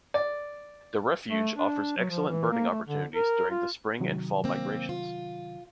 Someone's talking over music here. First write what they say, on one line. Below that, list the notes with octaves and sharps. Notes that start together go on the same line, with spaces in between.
The refuge offers excellent birding opportunities during the spring and fall migrations.
D5
A3
D4
F#3
F3
E3
A#3
A3
D3
A#4
F4
C3 D#3 F#3
A#3 C4
F4